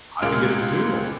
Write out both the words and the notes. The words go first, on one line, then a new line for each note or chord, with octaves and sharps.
I think it is too.
C#2 A#2 G#3 F4 F6 D7